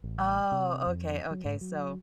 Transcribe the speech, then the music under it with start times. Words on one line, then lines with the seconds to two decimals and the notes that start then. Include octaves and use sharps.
Oh, okay, okay, so
0.04 A1
0.52 C3
0.87 F2
1.31 F#3
1.45 G#2
1.61 F#3